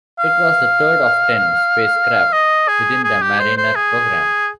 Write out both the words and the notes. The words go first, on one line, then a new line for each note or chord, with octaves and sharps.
It was the third of ten spacecraft within the Mariner program.
F5
D#5
G#4
G#4
G4
C5
C5
G#4